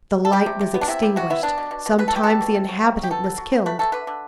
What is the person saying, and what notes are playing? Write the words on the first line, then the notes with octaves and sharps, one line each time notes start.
The light was extinguished, sometimes the inhabitant was killed.
A4
G3 G4
C3
C3
B3
D4
C3 E4
G3
C3 F#4
B3 E4
B3 D4
B2
B2
B2
B2 B4
A4
B2 G4
G3 A4
B2
C3
F#3
C3
F#3
G4
B3 A4
F#3
F#3
B3
A3 B4
A3 A4
D3 B4
D3